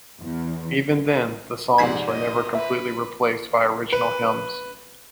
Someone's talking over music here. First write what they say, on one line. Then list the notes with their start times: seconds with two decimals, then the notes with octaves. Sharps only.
Even then, the psalms were never completely replaced by original hymns.
0.22 E2
1.78 F2 G#2 C3 D5 F#5 G#6 B6 C7
2.10 C#5 D#5
2.55 B4 E5
3.93 B4